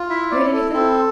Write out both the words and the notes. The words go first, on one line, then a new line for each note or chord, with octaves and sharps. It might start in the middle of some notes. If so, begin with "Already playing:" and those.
Heard anything?'
Already playing: F4
E4 E5
D5
E4
A4
C4 A4